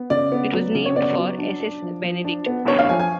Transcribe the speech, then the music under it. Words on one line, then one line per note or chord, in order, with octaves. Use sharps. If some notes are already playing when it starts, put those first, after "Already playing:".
It was named for S. S. Benedict.
Already playing: B3
C#3 D5
B3
F#3
C#3
C#5
B3 D5
F#3
D4
D4
F3
F3
D4
B3
D4 C#5
F5
F3 G#5
G#5